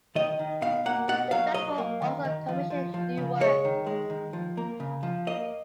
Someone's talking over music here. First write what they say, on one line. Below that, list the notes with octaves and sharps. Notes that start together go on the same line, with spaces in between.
The Festival also commissioned new works.
D#3 D#5
D#3
B2 F5
A#3 F#5
B2 F#5
F#3 F5
F#3 D#5
A#3
D#3
D#3
F3
F3
F3
C#3
G#3 C#5
D#3
G#3
D#3
F3
A#3
C#3
F3
A#3 D#5